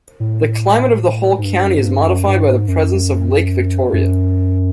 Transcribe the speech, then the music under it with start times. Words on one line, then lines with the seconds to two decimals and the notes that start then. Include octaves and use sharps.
The climate of the whole county is modified by the presence of Lake Victoria.
0.20 A2
1.38 G#2
1.44 G2
1.64 F#2
1.77 G#2
1.86 G2
2.06 F#2
2.27 G2
2.47 G#2
2.68 F#2
3.93 F#2